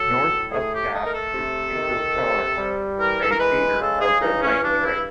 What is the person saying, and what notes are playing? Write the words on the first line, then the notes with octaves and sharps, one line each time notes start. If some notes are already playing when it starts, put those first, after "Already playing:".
North of the gap is Angle Tarn, a feeder of the Langstrath.
Already playing: F#3 A4
A2
A3 G#4
G4
A3 D#4
A#4
A4
C3
D#3
C3
G3
E3 A#4
A4
A#4
G#3 B4
C#3 A4
G#4
E3 D#4
C#4
G2 D4
E4